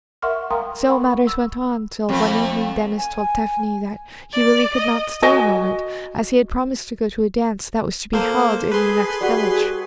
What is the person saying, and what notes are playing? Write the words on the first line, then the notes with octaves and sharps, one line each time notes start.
So matters went on till one evening Denis told Tephany that he really could not stay a moment, as he had promised to go to a dance that was to be held in the next village.
A#4 E5 F#5 C6 C#6 F6
A#4 F5 G5 A#5 C6 D#6
F#5 B5 C#6
E6
F2 A3
G#5
D5
D#5
F#4 D#5 G#5
A#3 A4 C5
G#4 A4 B4 C6
G3 F#4 G#4